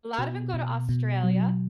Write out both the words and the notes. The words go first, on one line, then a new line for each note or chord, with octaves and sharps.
A lot of 'em go to Australia.
B2
B2
B2
F#3